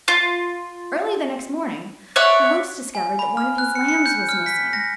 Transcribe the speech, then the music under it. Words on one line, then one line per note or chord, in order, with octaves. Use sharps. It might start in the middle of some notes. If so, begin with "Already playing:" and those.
Early the next morning the host discovered that one of his lambs was missing.
F4
C#5 D5 E5 F#5
G#5
B5
F6
F#6
C#7
C#7
G6
F6
B6
A#6